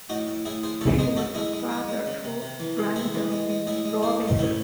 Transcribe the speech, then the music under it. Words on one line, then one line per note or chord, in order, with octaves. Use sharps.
He was a brother to Randall Robinson.
A2 D#4 F#4
A2
A2 E4 G#4
A2 G#4 C5
C#3 A4 C#5
G#3 G#4 C5
C#3 F#4 A4
G#3 E4 G#4
G#3
G#3
G#3
C#3
C3
C3
E3
C3
C3 E4 G#4
E3
G#3
G#3
A2 E4 G#4
G#3
A2 G#4 C5
A2
D#4
A2 C#4 E4